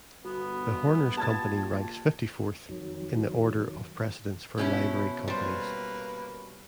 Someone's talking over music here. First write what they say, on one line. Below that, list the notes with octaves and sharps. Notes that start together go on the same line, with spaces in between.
The Horners' Company ranks fifty-fourth in the order of precedence for Livery Companies.
G1 B3 F#4
A#2 G4 A5 G#6 A6
F2 D#3 F#3
B2 C#4 E4
G3 A#3 B4 C5